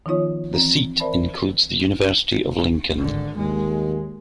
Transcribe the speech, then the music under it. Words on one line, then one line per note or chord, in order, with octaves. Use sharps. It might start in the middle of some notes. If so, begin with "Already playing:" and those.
The seat includes the University of Lincoln.
D#3 F3 B3 D#4 F4 C#5
E3 C4
A#4 C5 D5 E5 A5 B5
G#1 D3
D#2 G#3